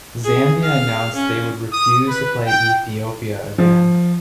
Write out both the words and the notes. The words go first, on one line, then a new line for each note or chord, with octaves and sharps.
Zambia announced they would refuse to play Ethiopia again.
G#4
F5
C#4
D#6
B4
G5
F3